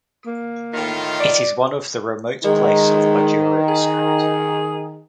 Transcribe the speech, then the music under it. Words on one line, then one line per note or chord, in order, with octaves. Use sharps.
It is one of the remote place of Bajura District.
A#3
A2 D#3 F4
D5
D#3 G#3
G#4